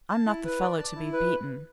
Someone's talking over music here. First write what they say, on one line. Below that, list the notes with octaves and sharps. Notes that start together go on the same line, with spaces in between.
I'm not the fellow to be beaten.
A5
E4
B4
D5
A5
E4
B4